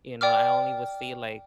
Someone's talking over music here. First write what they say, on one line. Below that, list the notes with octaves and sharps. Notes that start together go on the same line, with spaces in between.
you know, I only would see, like,
D5 G5 D6 F6